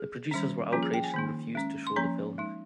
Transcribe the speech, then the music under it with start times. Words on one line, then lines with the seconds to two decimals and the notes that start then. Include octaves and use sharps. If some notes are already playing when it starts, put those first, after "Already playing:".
The producers were outraged and refused to show the film.
Already playing: G#4
0.31 D#3 G3 C#4
0.72 F3 A#3 C#4 F4
0.83 G#4
0.94 G5
1.04 G#5
1.14 D#3 A#3 D#4
1.55 G#3 C#4
1.87 C6
1.96 F3 A#3 C#4 A#5
2.38 G#3 D#4